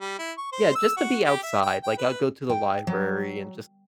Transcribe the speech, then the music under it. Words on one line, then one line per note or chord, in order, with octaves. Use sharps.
Yeah. Just to be outside, like, I'll go to the library and just
G3
E4
C#6
C5
E6
F#4
G4
E5
G5
G5
B4
G5
F#3